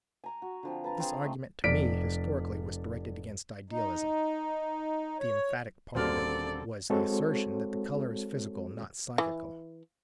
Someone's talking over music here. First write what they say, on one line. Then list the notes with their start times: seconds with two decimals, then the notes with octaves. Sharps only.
This argument, to me historically, was directed against idealism: the emphatic part of it was the assertion that the colour is physical, not psychical.
0.24 G#5 A#5 C#6
0.42 F#4
0.63 D3 F3 C4
0.84 B4 A5 A#5
1.00 C4 G#4
1.21 A3 D#5
1.64 F1 D5 B6 D7
3.70 D#4
5.20 C#5
5.95 D#1 D3 A#3 C4 F#4 A4 D5 F6
6.90 G#3 C4 F#4 A4 C5 C#5
9.18 E3